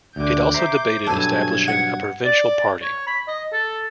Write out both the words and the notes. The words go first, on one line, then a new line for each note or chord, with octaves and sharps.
It also debated establishing a provincial party.
D2 D3 D6 G6
C5 E5 A#5
G2 B2 F#3 A4 G#5 G#6
F#5
D5
C#5
B5
D#5
A4